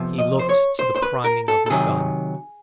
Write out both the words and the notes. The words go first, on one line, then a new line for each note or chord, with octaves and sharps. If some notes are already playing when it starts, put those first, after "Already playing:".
He looked to the priming of his gun.
Already playing: F2 C3 F3 B3
D#5
C5
C#5
C5
C5
B4
A#4
A4
A4
C3 D#3 F#3 G#4